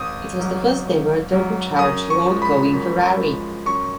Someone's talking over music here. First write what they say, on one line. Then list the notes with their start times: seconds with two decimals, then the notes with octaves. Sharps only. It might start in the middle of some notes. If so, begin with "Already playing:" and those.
It was the first ever turbocharged road-going Ferrari.
Already playing: G#1 D#6
0.40 G#2 F#3
0.85 G#1
1.32 G#2 F#3
1.79 F#2 D#6
2.10 C#6
2.26 F3 G#3
2.42 B5
2.73 F#2
3.19 F3 G#3
3.66 F#2 C#6